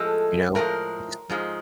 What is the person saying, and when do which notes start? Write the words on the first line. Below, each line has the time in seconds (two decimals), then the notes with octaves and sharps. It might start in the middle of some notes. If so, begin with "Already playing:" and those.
you know? We just
Already playing: A2 F3 G#3 A4
0.55 A2 F3 G#3 A#4
1.30 G#2 F3 G#3